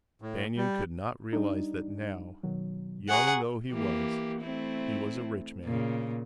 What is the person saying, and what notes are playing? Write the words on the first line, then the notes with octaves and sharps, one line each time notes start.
Banion could not realize that now, young though he was, he was a rich man.
A2
G3
G3 D4 D#4
B2 D#3 F#3
G#4 F#5 A#5 C#6 F#6
E3 A#3 G4
A3 C4 E4
A#2 C#3